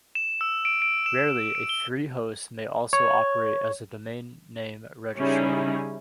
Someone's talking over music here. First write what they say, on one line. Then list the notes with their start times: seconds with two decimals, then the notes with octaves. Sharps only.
Rarely, a free host may also operate as a domain name registrar.
0.15 E7
0.41 E6
0.65 D7
0.82 D7
1.06 E7
1.55 D7
1.69 G7
2.93 C#5
5.16 C#3 G3 C#4 D#4 E4 G#4